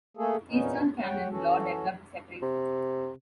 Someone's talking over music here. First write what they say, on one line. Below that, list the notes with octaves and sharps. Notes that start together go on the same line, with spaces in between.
Eastern canon law developed separately.
A3 A#3 G#4 A4
E2 A#2 B3 C#4 D#4
C#5 F#5 G5
E3 C#4 F#4 A4
C3